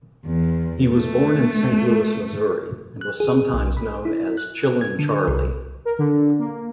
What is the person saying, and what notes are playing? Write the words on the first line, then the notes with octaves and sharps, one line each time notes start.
He was born in Saint Louis, Missouri and was sometimes known as "Chillin' Charley".
E2
A3
F#6
G#4
B1
B5
E4
F#6
G#6
D3
C2
A#4
D3
A#3